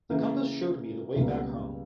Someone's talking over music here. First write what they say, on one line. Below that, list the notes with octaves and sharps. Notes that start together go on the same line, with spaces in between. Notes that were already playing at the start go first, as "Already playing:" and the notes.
The compass showed me the way back home.
C#3 E3 A#3
C#2 B2 G3 A#3